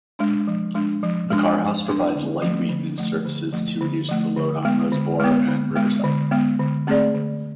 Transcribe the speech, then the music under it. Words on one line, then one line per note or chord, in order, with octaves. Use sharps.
The carhouse provides light maintenance services to reduce the load on Reservoir and Riverside.
G#3 D4
F3
G#3 D4
F3
G#3 D4
F3
G#3 D4
D3
F3 A3
D3
F3 A3
D3
F3 A3
D3
F3 A3
D3
G#3 B3
D3
G#3 B3
D3
G#3 B3
D3
G#3 B3
D3
A3 C4 G#4 D5
D3